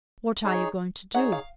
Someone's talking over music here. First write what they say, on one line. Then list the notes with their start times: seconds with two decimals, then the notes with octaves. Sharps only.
What are you going to do?
0.44 D#4 G#4 C#5
1.14 D#4 G#4 C#5 F#5
1.32 F5